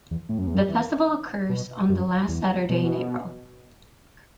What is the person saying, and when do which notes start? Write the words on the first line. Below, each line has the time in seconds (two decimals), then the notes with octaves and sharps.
The festival occurs on the last Saturday in April.
0.11 E2
0.29 A2
0.39 F#2
0.47 E2
0.55 F#2
0.69 E3
1.49 B2
1.89 F#2
2.28 E2
2.69 B2